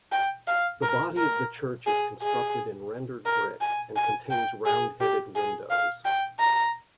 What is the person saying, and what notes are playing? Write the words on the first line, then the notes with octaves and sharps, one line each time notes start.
The body of the church is constructed in rendered brick, and contains round-headed windows.
G5
F5
A#4
A#4
G#4
G#4
A#4
G#5
G#5
G5
G#4
G4
G#4
F5
G5
A#5